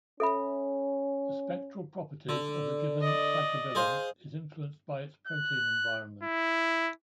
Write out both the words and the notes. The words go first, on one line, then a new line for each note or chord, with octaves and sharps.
The spectral properties of a given phycobilin is influenced by its protein environment.
C#4 A4 E5 B5
D3
D5 D#5
G#4 C5 F5
F#6
E4